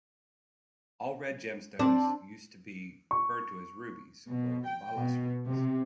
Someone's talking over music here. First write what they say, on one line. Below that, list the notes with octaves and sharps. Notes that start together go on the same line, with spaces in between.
All red gemstones used to be referred to as rubies or "balas rubies".
C4 D4
C#6
B2
G5
B2
C3